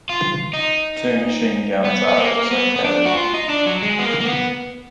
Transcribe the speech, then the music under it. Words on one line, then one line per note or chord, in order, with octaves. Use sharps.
Two machine guns are also carried.
F4
D#4
B3
B3
A#3
B3
B3
D4
F#4
F4
D#4
D4
F#3
G#3
B3
A#3
A#3
B3